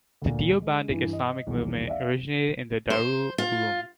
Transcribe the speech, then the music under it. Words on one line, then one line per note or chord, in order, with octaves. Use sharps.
The Deobandi Islamic movement originated in the Darul Uloom.
D2 A#2
G#3
G2 E3
D#5
D#1 B1 E2
D5 E5 F5
C5
F4